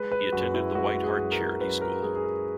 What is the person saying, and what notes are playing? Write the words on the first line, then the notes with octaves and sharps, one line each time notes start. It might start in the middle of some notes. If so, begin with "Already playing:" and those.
He attended the White Hart Charity School.
Already playing: G#3 B4
B4
F#2 F#4
E4
G#3 F#4
G#4
F#2
A#4
F#2 B4
A#4
G#3 G#4
G#4
A#4